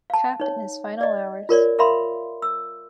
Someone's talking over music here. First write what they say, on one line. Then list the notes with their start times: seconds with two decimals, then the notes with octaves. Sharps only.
Cap in his final hours.
0.10 F5 A5
0.40 D#4 C#5
1.01 D5 D#5
1.49 F4 A#4 C#5 D5
1.79 A#4 E5 F5 B5 C6
2.42 E6